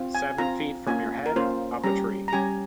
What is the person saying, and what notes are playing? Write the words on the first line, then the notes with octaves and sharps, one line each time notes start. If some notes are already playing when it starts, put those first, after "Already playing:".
Seven feet from your head, up a tree.
Already playing: C4 F4
G#5
C4 F4 A#5
A#3 C#4 F4 G#5
A#4
A#3 C#4 F4 C5
G3 C#4 G4 A#5
A#5
G3 C#4 G4 G#5